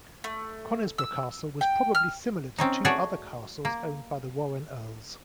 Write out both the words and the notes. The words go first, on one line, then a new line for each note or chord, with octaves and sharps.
Conisbrough Castle was probably similar to two other castles owned by the Warren earls.
A3
E6
G5
F6
C4 C#4 D#4
A3 F#4 G#4 C#5 D5
A#3